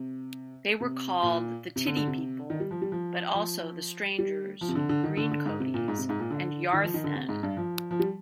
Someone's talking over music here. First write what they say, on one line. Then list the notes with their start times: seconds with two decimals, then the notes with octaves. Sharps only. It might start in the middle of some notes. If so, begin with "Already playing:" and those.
They were 'called the Tiddy people', but also "the Strangers", "Greencoaties" and "Yarthin".
Already playing: C3
0.80 C3
1.23 A#2
1.76 C3
1.86 D3
1.97 D3
2.07 C3
2.50 D#3
2.60 G3
2.71 F3
2.82 G3
2.92 F3
3.34 F3
4.18 G3
4.61 F3
4.68 C3
4.75 D3
4.89 D3
5.03 D#3
5.17 D3
5.31 D3
5.46 G#2
5.60 C3
5.74 A#2
5.88 G#2
5.98 C3
6.09 G#2
6.20 A#2
6.30 D3
6.73 D#3
6.83 F3
6.94 D#3
7.04 D3
7.15 C3
7.29 G#2
7.43 G2
7.57 F3
7.91 F3
7.99 G3